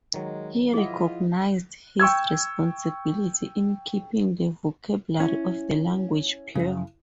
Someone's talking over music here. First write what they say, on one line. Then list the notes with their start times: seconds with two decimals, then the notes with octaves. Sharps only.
He recognized his responsibility in keeping the vocabulary of the language pure.
0.14 D#3 F#3 G#3
0.73 F3 E4 F4 G#4 D#5 F#5
2.00 G5 C#6 E6 G#6
5.20 C#4 E4
6.55 F#2 C#3